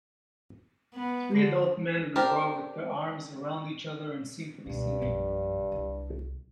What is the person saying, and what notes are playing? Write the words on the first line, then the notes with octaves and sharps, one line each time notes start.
Three adult men in a row with their arms around each other and seem to be singing.
B3
D3
C4 D4 G4 A#4
C#2 G2 B2
A#1 F#2
C2 F#3